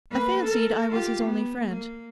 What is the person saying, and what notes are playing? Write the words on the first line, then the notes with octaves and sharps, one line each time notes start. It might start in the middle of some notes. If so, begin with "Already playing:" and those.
I fancied I was his only friend.
A#3 B4
A4 A#4
F4 G4
B3
A#3